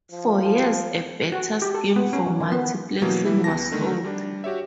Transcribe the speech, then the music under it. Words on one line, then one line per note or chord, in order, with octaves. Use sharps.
For years a better scheme for multiplexing was sought.
F3
F#4
G4
A4
B3
C#4
F#3
D#3
B3
B2 E3 F#3 A#3
E3 G3 E4
C#2 B3 A5 A#6
D3 D#3 A3
G3 D4
F#4 G4 C#5 E5